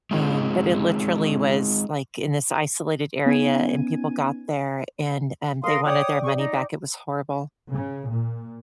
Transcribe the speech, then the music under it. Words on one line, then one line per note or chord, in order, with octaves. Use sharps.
Um, but it literally was, like, in this isolated area, and people got there, and, um, they wanted their money back. It was horrible.
G#3 C4 D#4 F4 G#4
B3 C#4 D#4 G#5 G#6 D#7
A#4 F5 C6 D#6
C#5 D5 G5 D6 D#6
G#4 C#6
D#4
C#3
A#2